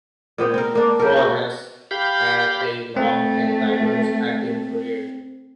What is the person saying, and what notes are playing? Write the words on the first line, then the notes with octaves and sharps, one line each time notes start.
Ford has had a long and diverse acting career.
A#2 B3 C4
C4 A#4
A#3 D4
G4 A#4
F#4
G4 F5 B5 G6
A3 C4